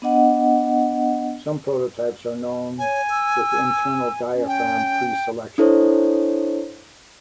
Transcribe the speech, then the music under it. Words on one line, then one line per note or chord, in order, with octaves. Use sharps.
Some prototypes are known with internal diaphragm preselection.
B3 D4 D#5 F#5
C#5 G#5
E6
C#4
G5
D4 E4 A4 C5 C#5